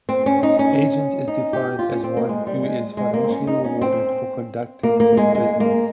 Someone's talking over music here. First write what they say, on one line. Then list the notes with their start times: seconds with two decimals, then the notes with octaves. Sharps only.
Agent is defined as one who is financially rewarded for conducting said business.
0.09 C4
0.26 C#4
0.43 D#4
0.59 C#4
1.28 D#4
1.53 G4
1.79 F4
1.91 C#4
2.04 C4
2.17 A#3
2.29 G#3
2.47 G3
2.63 G#3
2.97 G#3
3.14 A#3
3.24 C4
3.30 C#4
3.47 D#4
3.64 C#4
3.82 C4
4.83 A#3
5.00 A#3
5.17 G#3
5.35 G#3
5.60 A#3